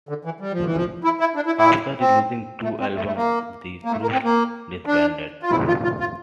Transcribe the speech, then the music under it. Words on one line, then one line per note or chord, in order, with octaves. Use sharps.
After releasing two albums, the group disbanded.
D3
E3
G3
F3
E3
F3
E4
E4
D4
E4
E4
C4
A3
C4
A3
A3
A#3
A#3
A3
A#3
C4
A#3
D4
F4
E4
F4
F4
F4